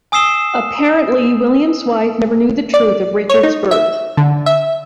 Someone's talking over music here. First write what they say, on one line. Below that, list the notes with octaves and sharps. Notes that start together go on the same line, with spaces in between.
Apparently, William's wife never knew the truth of Richard's birth.
G#5 D#6 E6 C7 E7 G7
D5
C#5
D#4
E5
D3
E5